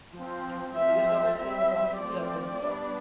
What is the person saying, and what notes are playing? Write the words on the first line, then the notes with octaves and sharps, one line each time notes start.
It is located in the community of Saint Johns.
F3 C4
F3 C4 E5
G3 C4 E5
F3 A3 C4 D5
G3 B3 D4